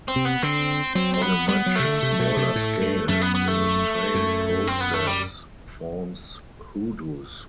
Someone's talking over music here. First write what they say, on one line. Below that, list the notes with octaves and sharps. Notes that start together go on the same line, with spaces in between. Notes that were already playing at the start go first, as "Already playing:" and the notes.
On a much smaller scale, the same process forms hoodoos.
C4
C3
B3
D3 C4
F#3 C4
C4
B3
G3 B3
F#3
C3 A3
D3
C3
B2
C3
A2
G2
F#2 A3
B3
B3
A3
F#2
C4
B3
A3
G3